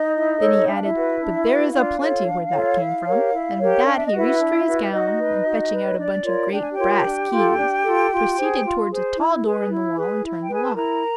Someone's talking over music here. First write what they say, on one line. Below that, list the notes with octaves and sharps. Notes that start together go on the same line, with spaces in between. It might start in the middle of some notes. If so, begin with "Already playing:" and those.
Then he added, "But there is a plenty where that came from." And with that he reached for his gown, and, fetching out a bunch of great brass keys, proceeded towards a tall door in the wall, and turned the lock.
Already playing: D#4 D#5
E4
A4 C#5
D4 E5
F5
E4 E5
F#4 B4
D4
F#4 B4
E5
D4 F4 F5
F4 A4 C#5
D4
F4 A4 C#5
E4
G4 A#4 C#5
E4
G4 A#4 C#5
D4 F5
E5
D#5
E4 F#4 B4 E5
D4
F#4 B4
D#4 F#4 D#5
B4
F#4
B4
C#5
D4 D5
F4 A#4 C#5
D4 G5
G#5
G4 G5
F4 A#4 C#5
D4
F4 A4
D4
F4 A4
F4
G#4 C5
F4
G#4 C5
E4
G#4 B4
E4
G#4 B4
E4
G5
G#4 B4 G#5
A5
E4 A#4 A#5